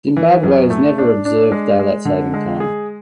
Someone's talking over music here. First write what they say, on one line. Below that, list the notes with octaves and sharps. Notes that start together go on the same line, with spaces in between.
Zimbabwe has never observed daylight saving time.
E3
F#2
A3
D4
D4
G#3
G#3
D3
G#3
G#4